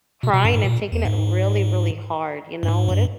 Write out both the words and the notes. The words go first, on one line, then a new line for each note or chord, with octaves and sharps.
crying and taking it really, really hard? You know? What if
B2
B2
G2
G#2
A#2
E2
G#2
G2
G#2
G2